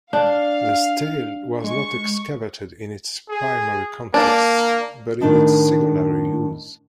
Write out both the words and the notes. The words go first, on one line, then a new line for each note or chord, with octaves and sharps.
The stele was not excavated in its primary context, but in its secondary use.
D4 F5
G#3 C#6
G#4
A#3 D4
A2 D#3 E3 D4 D#4